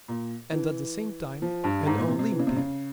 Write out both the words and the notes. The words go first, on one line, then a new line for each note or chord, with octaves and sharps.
And at the same time an Olympian.
A#2
E3
F3
G2
G#2
A#2
C3
C3
E3
C#3
C3
C#3